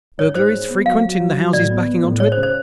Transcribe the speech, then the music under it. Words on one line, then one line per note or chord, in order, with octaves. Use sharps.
"Burglaries frequent in the houses backing on to it?"
G#2 C#5
G#2 C5
G#3
B3
F#3 F5
F#3
F#3
F#3
A2 D5
B3
B3
A2
G#3 C#5
C5
C#3
C5